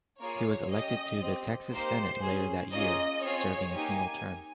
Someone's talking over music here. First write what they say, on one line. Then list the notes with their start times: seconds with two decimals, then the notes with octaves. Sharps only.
He was elected to the Texas Senate later that year, serving a single term.
0.19 A#3 F4 G#4 C#5
0.70 C#4 G4 D#5
1.21 C4 G4
1.70 A#3 D#4 G4 C5
2.21 C#4 G#4
2.72 A#3 C#4 F4 G#4 D#5
3.22 C4 F4 G#4 C#5
3.73 A#3 D#4 G4 G#5